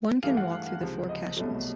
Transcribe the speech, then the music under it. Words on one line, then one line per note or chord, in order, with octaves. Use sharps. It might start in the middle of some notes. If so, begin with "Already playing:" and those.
One can walk through the four caissons.
G2 E3 A3 F5
F#5
C#2 C3 F3
D#5
C2 B2 F#3 A3